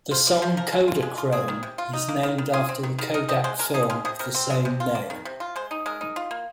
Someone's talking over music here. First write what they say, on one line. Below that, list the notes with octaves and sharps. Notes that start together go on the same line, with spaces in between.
The song "Kodachrome" is named after the Kodak film of the same name.
F4 C5
A#3 A#4
F3 C5
F3 A#4
G#3
F4
G#3
F4
C4 G#4
D#3
C3
F4
D#4
A#3
D#3
D#3
F4 G#4
C4
D#3
D#3
D#4 A#4
C4 D#5
G#3 C5
G#3 A#4
D#4 G#4
G#3 F4
C3 G#4
C3 A#4
C4
G#3
C3
F4
A#3
D#3
C3
F4
G#3 C5
D#4
G#3 A#4
D#4
F4
A#3